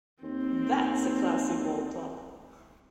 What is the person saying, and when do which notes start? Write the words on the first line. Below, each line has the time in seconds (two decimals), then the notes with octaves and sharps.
That's a classy ballclub.
0.22 D#2 C4